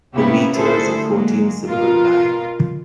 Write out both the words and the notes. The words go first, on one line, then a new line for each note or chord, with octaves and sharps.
The metre is a fourteen-syllable line.
C3 A#3 B3 C#4 E4 G4
D3 A3 E4 G#4 A4 C5
F#3 G#3 A#3
B2 F4 A#4